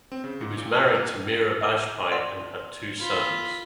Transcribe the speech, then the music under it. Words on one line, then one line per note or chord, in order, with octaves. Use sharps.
He was married to Meera Bajpai and had two sons.
C4
C#3
G#2
A#2
G#5
A#3
D#7
E5 D6
D5 F#5 C6
F4 B5